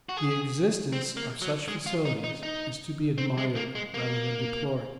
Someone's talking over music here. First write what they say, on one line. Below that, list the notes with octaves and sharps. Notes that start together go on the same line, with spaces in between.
The existence of such facilities is to be admired rather than deplored.
F#4
G#4
C4
A#3
F#3
G#3
F4
D#4
D#4
D#4
C4
G#3
A#3
G#3
A#3